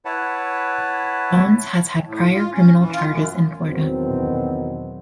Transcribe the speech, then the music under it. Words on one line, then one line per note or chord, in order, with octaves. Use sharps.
Jones has had prior criminal charges in Florida.
E4 B4 C#5 F#5 A5
A2
F4
C#4
E3
F4
F#2
E2 B2 D#3 F#3 C4